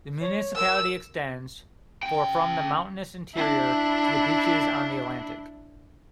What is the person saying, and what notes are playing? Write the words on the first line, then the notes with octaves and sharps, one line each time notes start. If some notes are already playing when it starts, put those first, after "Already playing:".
The municipality extends for from the mountainous interior to the beaches on the Atlantic.
C#5
A#4 E6
C#3 G5
D4 E4